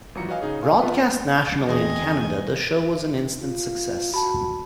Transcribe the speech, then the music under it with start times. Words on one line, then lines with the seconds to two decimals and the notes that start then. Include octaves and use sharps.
Broadcast nationally in Canada, the show was an instant success.
0.15 G#1 E3 F#3 F4 A#5 C#7
0.29 F#4 B4 C#5 D#5 F5 G#5
0.41 C#3 D#4 G#4 C#5
0.63 F5 G#5 D6 F6
0.81 B3 C4 F4 B4
1.69 E2 C4 G#4 D#5 G#5
3.41 F4
4.14 F#4 A5 B5